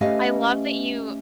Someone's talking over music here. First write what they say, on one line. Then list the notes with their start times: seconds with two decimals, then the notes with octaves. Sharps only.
I love that you
0.01 A3 C#4 G4 B4 D#5 F5